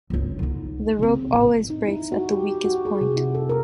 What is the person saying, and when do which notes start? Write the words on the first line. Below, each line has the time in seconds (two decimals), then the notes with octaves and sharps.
The rope always breaks at the weakest point.
0.10 G1 C#2
0.39 D3 D#4
0.99 C#3 C4
1.33 A1
1.70 D#4
1.88 E4
2.12 F#4
2.31 G4
2.65 F#4
2.85 G#4
3.01 C3
3.16 E4
3.35 A4
3.49 A#4